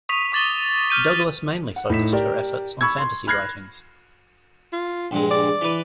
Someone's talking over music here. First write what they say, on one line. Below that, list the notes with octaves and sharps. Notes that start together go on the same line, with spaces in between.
Douglass mainly focused her efforts on fantasy writings.
C#6 D#6 B6 F7
C#6 D6 A6 F#7 G7
F6 G6 D#7
F#5
A2 D#4 B6 E7
G4 A#4 D5
B5 C#6 E6 G#6
C6
B5 F6 F#6 G#6 A#6 C7
F4
A#1 G2 G#3
D5
E3 B4